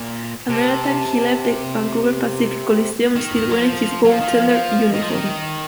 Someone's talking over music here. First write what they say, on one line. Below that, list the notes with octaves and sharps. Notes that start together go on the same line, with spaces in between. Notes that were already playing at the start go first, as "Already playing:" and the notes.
Another time he left the Vancouver Pacific Coliseum still wearing his goaltender uniform.
Already playing: A#2
C3 A5
D#3
F#3
F3
F#3 F5
F3
D#3
F3
F3
D#3 D#5
F3
D#3